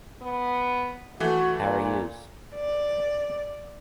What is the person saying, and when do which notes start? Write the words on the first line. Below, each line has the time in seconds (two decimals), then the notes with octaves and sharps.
How are youse?
0.22 B3
1.20 E3 A3 F#4
1.63 A#2
2.55 D5